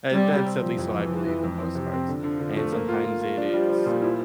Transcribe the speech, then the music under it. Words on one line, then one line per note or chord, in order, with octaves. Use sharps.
Uh, that's at least what I believe in the most cards. And sometimes it is
G3 C4
C3
C4
F3
F2 E3
F2
F3
F2
F2
C4
C3
C4
D3 F3
D3
D3
A3
A#3
F4
F4
F4
F3 D4
G3
G3
A#2
E4